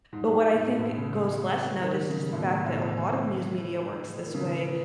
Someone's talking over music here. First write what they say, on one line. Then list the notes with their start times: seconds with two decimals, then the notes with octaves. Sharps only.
but what I think goes less noticed is the fact that a lot of news media works this way.
0.13 G#2
0.55 A2
0.67 B2
0.79 A2
0.97 C#3
1.82 D#3
2.10 C#3
2.32 A2
2.38 B2
2.65 A2
4.26 D#3
4.34 C#3